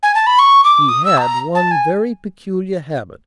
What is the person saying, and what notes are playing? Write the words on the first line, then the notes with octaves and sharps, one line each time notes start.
He had one very peculiar habit.
G#5
A5
B5
C#6
D6
D#6
E6
A5
A#5
A5
G#5